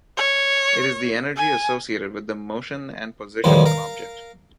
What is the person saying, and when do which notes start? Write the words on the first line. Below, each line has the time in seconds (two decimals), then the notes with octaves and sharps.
It is the energy associated with the motion and position of an object.
0.17 C#5
1.37 G#5
3.44 B1 E2 A2 D#3 F3 G3
3.66 A#4 F5